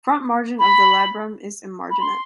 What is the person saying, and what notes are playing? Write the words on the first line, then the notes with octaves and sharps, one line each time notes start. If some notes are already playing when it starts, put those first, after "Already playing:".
Front margin of the labrum is emarginate.
B5
B5
C6